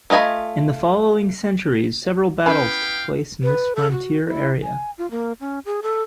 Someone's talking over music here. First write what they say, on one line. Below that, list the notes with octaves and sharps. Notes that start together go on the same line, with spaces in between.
In the following centuries, several battles took place in this frontier area.
A3 F4 D#5 G#5 B5
B3 C#4 E4 B4 F5 G5
B4
A4
F#4
E4
G#5
F4
A#3
C#4
G#4
A4